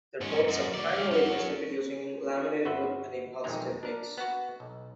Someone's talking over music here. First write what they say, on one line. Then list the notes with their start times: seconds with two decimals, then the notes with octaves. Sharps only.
Their boats are primarily constructed using laminated wood and epoxy techniques.
0.21 G#2 C#4
0.48 F#2
0.74 F#4 D5
0.93 G4 F5
1.11 C#4 F#4
2.65 G1 F#4 B4 C5 E5
3.44 B1 F2 D#3 G#3 C4 A#5
3.83 D4 A#4
4.18 B3 F#4
4.60 B1